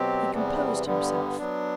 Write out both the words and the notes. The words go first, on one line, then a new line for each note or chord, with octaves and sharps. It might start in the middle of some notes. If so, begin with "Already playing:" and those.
He composed himself.
Already playing: B2 F#3 C4 G4
E2 C3 E3 G3 B3
G2 D3 G3 B3
F#3 B3 D4